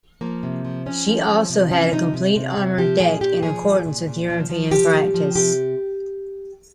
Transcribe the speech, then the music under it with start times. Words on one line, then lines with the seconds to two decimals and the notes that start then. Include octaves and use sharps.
She also had a complete armored deck in accordance with European practice.
0.21 F3 A#3
0.43 C3
0.65 F3
0.86 F3 C#4
1.07 F3
1.29 F3
1.50 C3
1.71 F3 C#4
1.93 C3 D#4
2.14 C3
2.36 C3
2.57 C3
2.78 F3 G4
3.00 A#2 G#4
3.21 A#2 G4
3.43 F3 G#4
3.64 A#2
3.86 A#2
4.07 A#2
4.28 F3
4.50 F3
4.71 F3 G4
4.93 A#2
5.14 F3
5.35 C3 G4